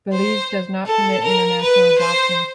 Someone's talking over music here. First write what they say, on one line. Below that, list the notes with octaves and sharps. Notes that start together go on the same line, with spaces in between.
Belize does not permit international adoptions.
C5
A4
A#4
B4
C5